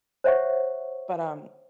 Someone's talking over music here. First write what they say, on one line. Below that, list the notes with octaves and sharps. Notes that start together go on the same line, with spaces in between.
But, um,
C5 C#5 E5 F#5 C#6